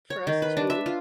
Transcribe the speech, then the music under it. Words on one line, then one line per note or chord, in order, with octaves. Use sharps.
for us to
C#5
D#3
B4
D4
E5
F4